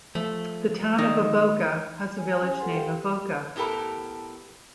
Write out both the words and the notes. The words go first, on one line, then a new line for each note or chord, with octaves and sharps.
The Town of Avoca has a village named Avoca.
F3 A3
D#3 D#4
C#5 G#5
C#4 G4 G#5
F4 A4 B4 C5 F#5 C6
G4 F5 G5
A2 B3 G4 A4 A#4